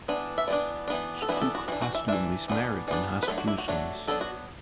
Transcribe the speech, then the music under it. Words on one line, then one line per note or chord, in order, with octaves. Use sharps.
Skoog Haslum is married and has two sons.
E3 B3 D4
E5
E3 B3 D4 D5
E3 B3 D4
A4
E3 B3 D4 B4
F#4
A4
F#4
E3 D4 F#4
F#4
E5
E3 D4 E5
E3 B3 D4
E3 B3 D4 D5
B4
F#3 A3 D4 A4
F#4
E4
F#4
F#3 A3 D4
F#3 B3 D4 A4
F#4